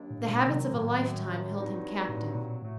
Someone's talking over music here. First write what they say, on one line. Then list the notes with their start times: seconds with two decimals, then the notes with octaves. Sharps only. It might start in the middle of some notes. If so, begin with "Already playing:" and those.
The habits of a lifetime held him captive.
Already playing: D#2 D#3 F#3 A#3 D4
0.10 A2
0.28 A#2
0.46 F#2 C3 D#3 F#3
0.73 A2
1.54 G2 F#3 C4 D#4
2.08 A2
2.35 A#2
2.62 A2 F#3 A3